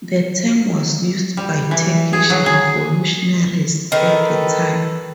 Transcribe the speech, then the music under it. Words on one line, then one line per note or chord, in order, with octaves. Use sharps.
The term was used by Turkish revolutionaries at the time.
G3
E3
G#4
F#3
G#4
D#3 A4 B4